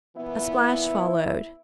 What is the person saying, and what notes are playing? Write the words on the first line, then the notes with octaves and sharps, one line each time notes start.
A splash followed.
A#2 E3 B3 E4